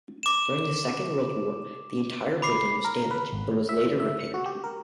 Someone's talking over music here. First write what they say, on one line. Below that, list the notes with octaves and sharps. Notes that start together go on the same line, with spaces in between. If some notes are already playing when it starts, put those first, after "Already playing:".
During the Second World War, the entire building was damaged but was later repaired.
D6 E7
B5 D6 C7
A#4
B4
G#1
A2
E5
E3
E5
C#7
F#4
G4
A#4